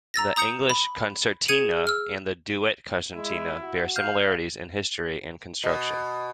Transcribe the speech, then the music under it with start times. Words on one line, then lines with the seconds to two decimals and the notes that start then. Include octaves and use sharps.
The "English concertina" and the "Duet concertina" bear similarities in history and construction.
0.14 A#5 E6 A6 A#6
0.36 A#5 D#6 G6 C#7 F7
0.70 B5
1.48 G#4 G#6 C#7 D#7
1.87 E6 F6
3.15 G#3 E4
3.61 F#4
3.96 F5 F6 G6
5.64 B2